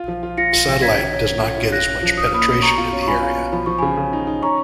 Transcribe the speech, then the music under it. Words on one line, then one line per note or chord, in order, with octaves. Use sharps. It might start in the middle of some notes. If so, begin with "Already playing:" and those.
Satellite does not get as much penetration in the area.
Already playing: F4
F3
F4
F4 A#6 C#7
F4
F3
C#4 G#6 B6
D#3
C#4
C#4
F4
F4
F4 F#6 A#6
C#4
F3
F3 D#6
F6
A#3 B5 D#6
C#4
B2 A#5 C#6
F4
C#4
C#6
F4 G#5 B5
F4
B2
F3 B5
F3 C#6
C#3 G#5 B5
C#3
D#4
D#4
C#4 A#5 C#6